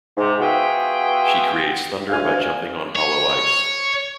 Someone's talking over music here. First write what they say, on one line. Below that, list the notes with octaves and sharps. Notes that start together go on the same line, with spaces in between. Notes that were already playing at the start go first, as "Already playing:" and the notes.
She creates thunder by jumping on hollow ice.
G#2 C3
B3 F4 F#4 G#4 E5 G5
D2 F5 G#5
C#5